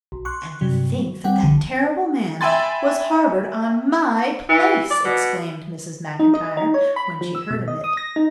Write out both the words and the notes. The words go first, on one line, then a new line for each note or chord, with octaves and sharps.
"And to think that that terrible man was harboured on my place!" exclaimed Mrs. MacIntyre when she heard of it.
B1
C6 C#6 F#6
G2 C3 F#3
F#3
G3 C4 F#5 G5
A#1 D3 F3
E5 G5 G#5 B5 C6 A6
E3
D5
B2
D#4
D#5
D#4
C#5
B5
F3
E6
B2
D#5
D#6
A#6
D#4